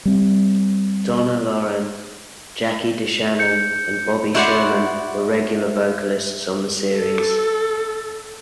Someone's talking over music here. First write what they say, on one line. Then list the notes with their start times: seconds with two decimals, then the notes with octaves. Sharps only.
Donna Loren, Jackie DeShannon and Bobby Sherman were regular vocalists on the series.
0.05 G3 C4
3.39 G6 C#7
4.35 E4 F#4 C5 D5 F#5
6.92 A4